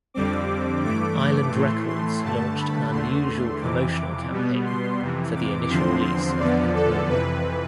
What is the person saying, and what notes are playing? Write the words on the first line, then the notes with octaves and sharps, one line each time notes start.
Island Records launched an unusual promotional campaign for the initial release of "Pink Moon".
F2 D3 G3 C4 D6
G2 E3 A3 D6
D6
A2 E3 A3 C6
C6
G2 D3 A3 A5
B5
E2 D3 A3 C6
F2 C3 E3 D6
B2 G3 B3
C6
F2 C3 E3
D6
E2 D3 F3 C4 C6
C6
E2 D3 F3 B3 D5
A4
F2 C3 E3 B4